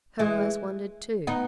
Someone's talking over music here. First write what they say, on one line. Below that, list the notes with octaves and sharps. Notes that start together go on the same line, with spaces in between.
Her eyes wandered too.
E3 G#3
B3 D#4